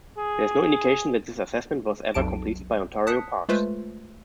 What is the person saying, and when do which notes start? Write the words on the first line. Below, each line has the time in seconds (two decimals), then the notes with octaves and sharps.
There is no indication that this assessment was ever completed by Ontario Parks.
0.18 G#4
2.14 B1 F2 A5 D7
3.07 A5 D#6 F#6 B6 C#7
3.49 G#3 A3 F4 B4 C5